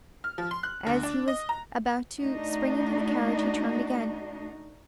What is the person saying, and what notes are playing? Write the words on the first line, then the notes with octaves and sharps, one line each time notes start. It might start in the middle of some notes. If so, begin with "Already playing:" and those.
As he was about to spring into the carriage, he turned again.
F6
F3
C6
F#6
D2
D4
D#5
A#5
A3 D4 D#4 F#4 D#5